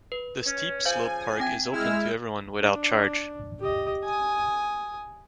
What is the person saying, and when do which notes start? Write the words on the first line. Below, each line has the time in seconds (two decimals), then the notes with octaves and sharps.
The steep slope park is open to everyone without charge.
0.12 B4
0.45 C#4
0.85 C#3 F3 C5 F5 G#5 G6
1.40 C4 G5 G#6
1.72 G#3 E4 E6 F6
2.59 D4
3.60 G4 D#5
4.04 G#5 D#6